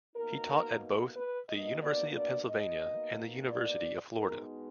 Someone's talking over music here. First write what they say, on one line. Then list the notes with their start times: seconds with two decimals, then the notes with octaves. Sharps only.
He taught at both the University of Pennsylvania and the University of Florida.
0.15 B2 A#3 D#4 A#4
1.16 B4
1.49 B2 A#3 D4 D#5
1.82 D5
2.17 D5
2.50 D#5
2.84 B2 A#3 D#4
3.50 D5
4.18 B2 G#3 B3 D#4 A#4